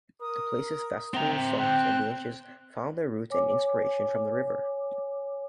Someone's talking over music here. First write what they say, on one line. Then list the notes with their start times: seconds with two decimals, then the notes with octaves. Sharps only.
The place's festivals, songs and dances found their roots and inspiration from the river.
0.21 A#4 D#6
1.14 C4 E5 G5 A#5
1.59 G5 F#6
3.30 C#5 G#5 D6